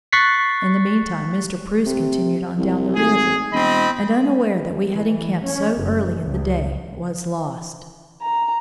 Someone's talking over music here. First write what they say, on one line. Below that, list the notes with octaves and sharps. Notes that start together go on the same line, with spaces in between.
In the meantime Mr. Preuss continued on down the river, and unaware that we had encamped so early in the day, was lost.
C#6 F#6 A6 B6 C7
C3
C2
G#1 G#4
E1 C4 D#5 B5
E3
C#4
F#1
C#2
A#5